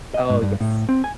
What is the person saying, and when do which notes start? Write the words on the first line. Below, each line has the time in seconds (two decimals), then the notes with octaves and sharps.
Oh, yes.
0.14 D#5
0.30 G#2
0.42 G2
0.60 A2
0.89 C4
1.04 G#5